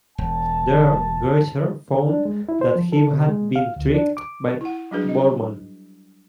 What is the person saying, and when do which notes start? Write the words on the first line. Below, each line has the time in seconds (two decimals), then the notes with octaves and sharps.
There Greiser found that he had been tricked by Bormann.
0.18 E1 A5
2.09 D4
2.25 G#3
2.49 E4
2.61 C5
2.76 F3
2.92 A4
3.13 C3
3.29 G#3
3.56 F5
3.76 D2
3.94 D4
4.17 D6
4.61 E4 F#5
4.91 F#3 G3 D4 F#4 G#4 B4
5.09 D#5